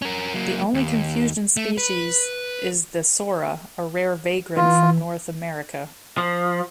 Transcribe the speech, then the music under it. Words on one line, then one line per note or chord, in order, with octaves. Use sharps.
The only confusion species is the sora, a rare vagrant from North America.
C#4 A#4
F#3 A#3
D#2
A3
B4
E3 F4
F3